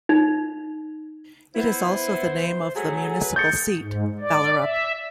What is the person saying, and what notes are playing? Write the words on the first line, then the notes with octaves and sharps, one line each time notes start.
It is also the name of the municipal seat, Ballerup.
D#4
B3 E4 C5
F#3 A3 G#4 A4
B4
A3 G#4 G6 A6 C#7
G#2
D5
E5